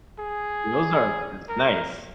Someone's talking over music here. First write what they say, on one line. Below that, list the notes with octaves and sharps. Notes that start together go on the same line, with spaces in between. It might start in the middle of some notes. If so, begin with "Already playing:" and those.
Those are pris nice.
G#4
A#4